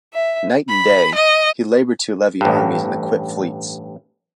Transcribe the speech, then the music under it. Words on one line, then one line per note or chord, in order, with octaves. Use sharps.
Night and day he laboured to levy armies and equip fleets.
E5
B5
D#5
A1 G2